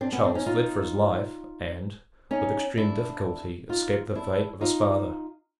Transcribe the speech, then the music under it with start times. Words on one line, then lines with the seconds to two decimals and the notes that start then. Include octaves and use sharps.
Charles fled for his life, and, with extreme difficulty, escaped the fate of his father.
0.01 C4 D4
0.12 B3 C#4
0.23 C4 D4
0.35 C#4 D#4
0.46 D#4 F4
2.31 C#4 D#4
2.77 D4 E4
3.69 D#4 F4
4.15 D4 E4
4.61 D#4 F4